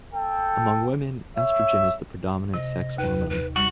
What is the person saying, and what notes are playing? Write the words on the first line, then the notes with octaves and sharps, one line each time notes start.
Among women, estrogen is the predominant sex hormone.
A4 G5
C#5 E5
C3 D#5
D#2 B4
B4
G3 F#4